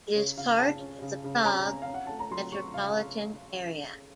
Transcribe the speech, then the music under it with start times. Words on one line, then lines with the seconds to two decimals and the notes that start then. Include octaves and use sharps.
It is part of the Prague metropolitan area.
0.15 C#3 C#5
0.37 C#3 F5
0.58 C#3 A5
0.80 C#4
1.02 C#3
1.24 C#3
1.44 C#4 A#5
1.66 C#4
1.82 F5
1.89 C#4
1.94 F#5
2.07 A3 A5
2.19 A#5
2.31 F#3 C6
2.52 F#3 C#6
2.74 C#3 F5